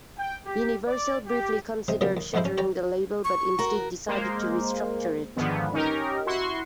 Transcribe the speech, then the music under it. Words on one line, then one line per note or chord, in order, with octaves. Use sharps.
Universal briefly considered shuttering the label, but instead decided to restructure it.
G5
G4
D5
G4
C3 G#3
A#2 C#3 F#3 A#3 B3
D#2
F2 G#2 F3 G#3 E4 C5
C#4
G4 C#5 D5 A#5
C#6
F#4 A#4
G#3 A#3 C5
G#2 D3 D#3 F3 B3
C#4 D#4 G4 A#4
E4 F#4 C6 C#6